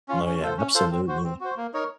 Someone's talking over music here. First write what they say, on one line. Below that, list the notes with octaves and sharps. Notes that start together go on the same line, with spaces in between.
No, yeah, absolutely.
C#4 F4
C#4
F4 A4 C5
C#4
F4 A4 C5
C4
F#4 C5
C4
F#4 C5
A#3
D#4 A#4 C#5